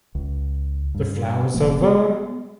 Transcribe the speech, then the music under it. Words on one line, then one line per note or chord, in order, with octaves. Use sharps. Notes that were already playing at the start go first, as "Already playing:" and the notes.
The flowers of var.
C#2
G2
F#1 A#2 F3 A#3
B3